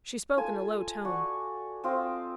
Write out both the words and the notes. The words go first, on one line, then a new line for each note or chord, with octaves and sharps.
She spoke in a low tone.
F4 A4 G#5
F#4 D5 F#5 C#6
C4 F4 C5 D#5